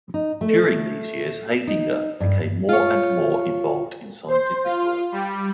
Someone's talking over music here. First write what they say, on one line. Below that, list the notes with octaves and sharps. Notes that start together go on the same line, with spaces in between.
During these years Haidinger became more and more involved in scientific work.
D#4
A3
D#4
G2
F4 C#5
C5
F4
G3